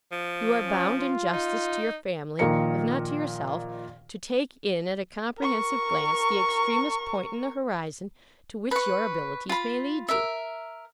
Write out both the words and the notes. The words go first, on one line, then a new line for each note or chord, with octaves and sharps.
You are bound, in justice to your family, if not to yourself, to take in at a comprehensive glance the extremest point in the horizon to which your abilities may lead you.'
F3
C#4
F4
D#4
A#1 A#2 D#3 A#4 A#5 C#7
A#4 C#6
B4 C#6
F4 B5
A#4 E5